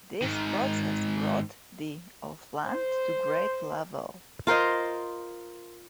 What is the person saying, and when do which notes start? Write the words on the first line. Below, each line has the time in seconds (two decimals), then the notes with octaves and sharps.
This process brought the of land to grade level.
0.22 G#2 D#3
2.67 C5
4.47 F4 A#4 C5 D#5